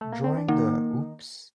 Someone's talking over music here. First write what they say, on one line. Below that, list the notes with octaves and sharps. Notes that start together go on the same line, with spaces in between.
During the Oops!...
A3
A#3
C4
D4
D#3 A#3 D#4